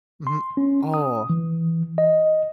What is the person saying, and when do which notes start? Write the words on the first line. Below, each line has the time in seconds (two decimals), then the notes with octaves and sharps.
Mhm oh.
0.27 C6
0.57 C#4
0.94 D#6
1.30 E3
1.98 D#5